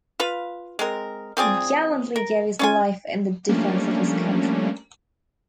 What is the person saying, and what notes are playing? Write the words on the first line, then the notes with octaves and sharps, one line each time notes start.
He gallantly gave his life in the defense of his country.
F4 B4 F5
G#3 C4 A#4
F3 C4 G#4 D5
A#4
C#4 F4 G#5
F3 G3 A3 A#3 C#4 D4